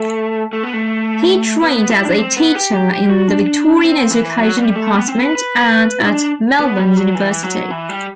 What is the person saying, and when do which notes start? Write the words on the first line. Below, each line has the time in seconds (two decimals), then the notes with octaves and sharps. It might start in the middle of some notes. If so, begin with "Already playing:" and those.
He trained as a teacher in the Victorian Education Department and at Melbourne University.
Already playing: A3
0.53 A3
0.63 B3
0.73 A3
1.62 B3
1.76 B3
1.90 E4
2.05 D4
2.18 C4
2.37 B3
2.55 G4
2.74 G4
2.92 G4
3.10 F#4
3.28 D4
3.84 C4
4.11 E3
4.39 F#3
4.57 G3
4.75 A3
4.95 B3
5.08 C4
5.22 B4
5.35 B4
6.00 E4
6.05 D4
6.60 B3
6.78 G3
6.97 F#3
7.15 E3
7.43 F#3
7.71 E3
7.89 G3